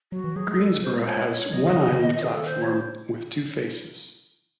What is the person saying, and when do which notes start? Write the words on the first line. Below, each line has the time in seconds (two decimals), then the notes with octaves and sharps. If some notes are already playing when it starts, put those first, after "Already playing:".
Greensborough has one island platform with two faces.
0.12 F#3 F#4
0.24 E3
0.36 F#3 G#4
0.48 G#3
0.59 G#3 A4
0.83 C5
1.07 C#5
1.30 C#5
1.53 F#3 D#5
1.65 E3
1.70 C#3
1.76 D#3
1.88 C#3
1.99 D#3
2.23 G#4
2.35 A4
2.46 C5
2.62 C#5
2.70 C5